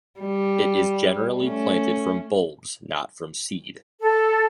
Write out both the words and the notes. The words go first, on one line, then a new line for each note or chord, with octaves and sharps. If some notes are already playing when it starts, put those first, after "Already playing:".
It is generally planted from bulbs, not from seed.
G3
A3 C#4
A4